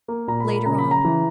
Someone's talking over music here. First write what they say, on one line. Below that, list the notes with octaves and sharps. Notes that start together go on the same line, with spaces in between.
"Later on."
A#3
A#2 A#5
B5
A#3
B5
C#3 A#5
B5
C#3
A#5
E3